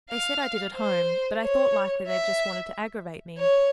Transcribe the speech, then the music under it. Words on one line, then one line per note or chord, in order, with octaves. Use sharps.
They said I did at home, but I thought likely they just wanted to aggravate me.
F5
C5
C#5
E5
C#5